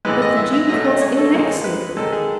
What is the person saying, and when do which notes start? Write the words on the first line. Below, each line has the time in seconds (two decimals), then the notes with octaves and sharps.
But the Duke was inexorable.
0.05 A2 E3 G#3 B4
0.22 D#5
0.37 E5
0.53 E5
0.69 B2 F#3 A3 D#5
0.85 D#5
1.02 C#5
1.17 A4
1.33 D#3 G#3
1.64 B4
1.97 D#3 G#3 A4
2.12 G#4